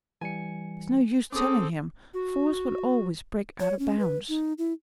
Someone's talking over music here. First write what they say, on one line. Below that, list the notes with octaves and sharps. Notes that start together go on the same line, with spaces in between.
It's no use telling him, fools will always break out o' bounds.
E3 G3 G#5 C#7
C4 C#4 G#4 A4 D6 D#6
F#4
C#5
C#4
B4
D#4
E4